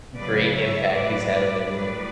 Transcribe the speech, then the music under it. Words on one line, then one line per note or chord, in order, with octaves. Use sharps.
great impact he's had on everyone.
C#3 F#3 B4 D5
C#5 E5
A2 F#3 B4 D5
B4 D5
A2 F#3 B4 D5